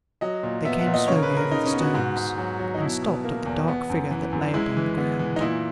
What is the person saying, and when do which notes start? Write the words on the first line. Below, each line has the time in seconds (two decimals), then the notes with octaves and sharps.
They came slowly over the stones, and stopped at the dark figure that lay upon the ground.
0.21 F#3 D#5
0.43 A#2
0.65 B3 E5
0.79 F#5
0.86 A#2
0.94 D#5
1.08 C#3 C#5
1.17 A#4
1.23 B4
1.30 C#3
1.37 A#4
1.51 C#3 D#4
1.66 C#4
1.73 B3
1.81 F#4
1.94 G#2 F#4
2.16 G#2
2.38 F#3
2.59 F#3
2.74 D#4
2.81 B2 E4
3.02 B2
3.24 A#3
3.46 E2
3.68 B3
3.90 F#2
4.11 E3
4.32 F#2
4.54 G#3 E4
4.77 E3
4.98 B3
5.19 E3
5.36 D#4
5.41 A#2 E4